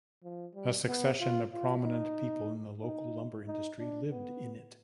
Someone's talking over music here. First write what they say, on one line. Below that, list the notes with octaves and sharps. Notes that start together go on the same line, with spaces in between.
A succession of prominent people in the local lumber industry lived in it.
F3
G3
B3
F4
F4
D#4
D#4
D#4
D4
B3